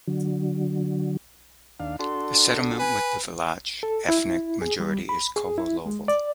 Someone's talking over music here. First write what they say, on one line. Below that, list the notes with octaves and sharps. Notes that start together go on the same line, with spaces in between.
The settlement with a Vlach ethnic majority is Kovilovo.
D3 F#3
D#2 D4 F5
D4 F#4 A4 C6
B4 G#5
A4
E4
G#4
G3
B5
G#4
E4
G#3
D5